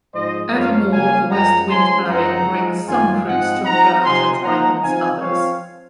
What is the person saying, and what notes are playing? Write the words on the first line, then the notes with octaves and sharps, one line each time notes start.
Evermore the west wind blowing brings some fruits to birth and ripens others.
G#2 F3 G#3 C5 D#5
F#2 F3 A#3 F4 C#5 F5
C#3 F#3 A#3 F5 G#5
F#2 F3 G#3 F#5 A#5
F3 G#3 C#4 G#5 C6
F#2 F3 G#3 C4 D#4 F#5 A#5
F3 G#3 D#4
F#2 D#3 A#3 F4 F5 G#5
G#2 F3 G#3 C4 D#5 F#5
F3 C4 D#4 F#5 A#5
C3 F3 C4 D#4 G#5 C6
F3 A#3 D#4 F#5 A#5
F3 C4 D#4 F5 G#5
F3 C4 F4 C#5 F5